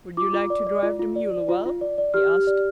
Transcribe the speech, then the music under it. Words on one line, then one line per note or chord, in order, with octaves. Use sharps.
"Would you like to drive the mule awhile?" he asked.
F4 D6
F4
D5
D5
F4
F4
D5
D5
F4
F4
D5
D5
G4 F6
G4
D5